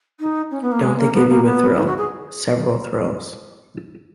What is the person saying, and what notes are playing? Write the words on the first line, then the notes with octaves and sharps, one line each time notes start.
Don’t they give you a thrill — several thrills?
D#4
C#4
B3
A#3
G#3
A#3
B3
A#3
B3
D#4
E4
F#4
G#4